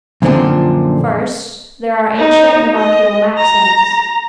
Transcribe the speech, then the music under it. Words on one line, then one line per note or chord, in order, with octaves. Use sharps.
First, there are ancient monarchical maxims.
F#2 A#2 D3 F3 C4 D4
D#4
D#5
A#5